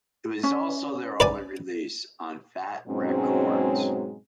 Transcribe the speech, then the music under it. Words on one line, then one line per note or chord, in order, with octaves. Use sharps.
It was also their only release on Fat Wreck Chords.
C#4
B4 D5 G#5
G#2 B2 F#3 G#3 C4 C#4